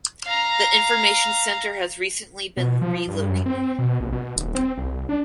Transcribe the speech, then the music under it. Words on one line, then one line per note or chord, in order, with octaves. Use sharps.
The Information Centre has recently been relocated.
F5 A#5
B2
F3
G2
F#2
C4
B2
A#1
B2
D#1
C4
C2
D4